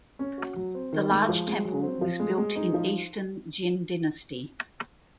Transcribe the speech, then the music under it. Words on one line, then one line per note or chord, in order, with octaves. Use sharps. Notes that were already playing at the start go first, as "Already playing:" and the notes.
The large temple was built in Eastern Jin Dynasty.
C#4
F#4
F#3
C4
D#3
G#3
F3
G#3
F#3
C4
F3
G#3
G#3
D#4
F3